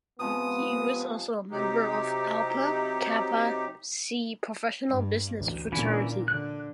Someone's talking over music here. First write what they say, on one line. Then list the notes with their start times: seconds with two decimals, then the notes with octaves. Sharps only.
He was also a member of Alpha Kappa Psi Professional Business Fraternity.
0.19 C3 F3 G#3 B3 D#6
1.51 C3 F#3 D#4 G4
4.88 G2
5.38 A1 D2
5.72 A#2 D3 E3 C#4 E4
6.28 D3 F#6